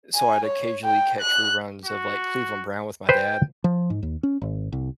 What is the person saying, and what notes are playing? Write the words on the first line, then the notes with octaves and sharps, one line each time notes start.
so I'd occasionally catch reruns of, like, Cleveland Brown with my dad,
G#5
C#5
G5
F#6
F#4
B4 C5 G5
F3
G#2
D#2
C#4
G#1
C2